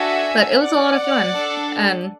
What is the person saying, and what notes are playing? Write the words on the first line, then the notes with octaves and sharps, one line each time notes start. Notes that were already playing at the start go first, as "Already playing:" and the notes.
But it was a lot of fun. And
Already playing: D4 F#4 A4 E5 G#5
D5 F#5
D4 A4